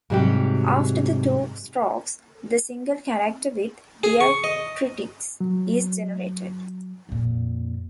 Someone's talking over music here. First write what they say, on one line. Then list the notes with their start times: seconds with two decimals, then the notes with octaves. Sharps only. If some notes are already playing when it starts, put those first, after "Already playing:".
After the two strokes, the single character with diacritics is generated.
0.10 G#2 C3 F#3 G3 F#4 G4
4.03 G#4
4.21 C#6
4.44 D#5
5.40 F#3
7.09 F2 A#2